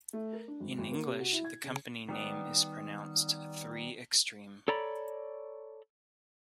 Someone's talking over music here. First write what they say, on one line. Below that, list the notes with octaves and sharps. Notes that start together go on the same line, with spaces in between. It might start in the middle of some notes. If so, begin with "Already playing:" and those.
In English the company name is pronounced "Three-Extreme".
A3
A#4
D4
G#1
G#1
A#3
C3
F#4
E4
G#6
C#3
D#3 G3 B3
A4 C#5 D5 A#5 B5